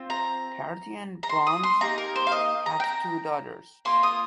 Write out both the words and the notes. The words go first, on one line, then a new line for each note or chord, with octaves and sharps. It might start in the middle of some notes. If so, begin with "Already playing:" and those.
Carty and Burns have two daughters.
Already playing: C4 F4
A#5
A#5
C6
D#6
C6
A#3 D#4 G4 A#5
A#4
C5
F5
D#5
A#5
G5
A#5
A#3 F4 C6
D#6